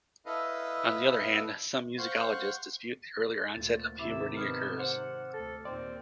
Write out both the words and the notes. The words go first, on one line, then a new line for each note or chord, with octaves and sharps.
On the other hand, some musicologists dispute that earlier onset of puberty occurs.
E4 A4 B4 D#5 F5
C5 F5 F#5 C6 C#6
D2 A#2 A6
G#2 C3 D#3 E4 D6 E7
B3 F6 G#6
C5 F#5 C#7
D2 A4 A6
D#2 A#2 D#3 C4 D5